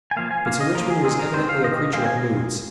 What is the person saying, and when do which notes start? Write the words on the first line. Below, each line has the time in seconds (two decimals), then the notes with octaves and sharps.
But Sir Richmond was evidently a creature of moods.
0.11 G#5
0.16 F3 A#3 F5
0.31 G#5
0.46 F3 A#3 F5
0.60 D#5
0.75 F3 A#3 A#4
0.90 G#4
1.04 D#3 G#3 C4 G#4
1.19 A#4
1.34 D#3 G#3 C4 C5
1.49 F5
1.64 D#3 G#3 C4 D#5
1.93 D#3 G#3 C4 F5
2.06 G#5